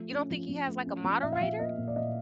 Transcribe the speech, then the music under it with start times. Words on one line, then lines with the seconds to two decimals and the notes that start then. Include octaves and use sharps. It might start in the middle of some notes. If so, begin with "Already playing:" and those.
You don't think he has, like, a moderator?
Already playing: F3 A3
0.12 C#4
0.31 F3
0.49 F3
0.67 A3
0.86 C#4
1.04 F3
1.22 A#2 E5
1.32 F5
1.41 F3 E5
1.60 A#3 D#5
1.78 A#2
1.88 D5
1.96 A#2 D#5